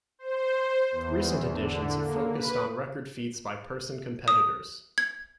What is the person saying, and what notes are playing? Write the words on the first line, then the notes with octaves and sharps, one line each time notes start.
Recent editions have focused on record feats by person competitors.
C5
E2
D3
A#3
B4
D#6
G#6